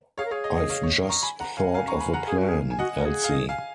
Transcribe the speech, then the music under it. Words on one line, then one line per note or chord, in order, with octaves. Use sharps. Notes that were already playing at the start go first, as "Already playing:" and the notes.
I’ve just thought of a plan, Elsie.
G#4 C#5 F5
A#4
G#4 C#5 F5
D#5
D#5
C#5 F5
C#5
A#5 C#6
G#5 B5
F#5 A#5
F5 G#5
F5 G#5
A#5 C#6
G#5 B5
F#5 A#5
G#4 F5 G#5
F#4
G#4
G#5
F#4 D#5 F#5
A#4
G#4
F5
D#5
F5 G#5